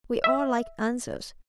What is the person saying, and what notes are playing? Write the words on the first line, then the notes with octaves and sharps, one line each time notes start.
We all like answers.
E5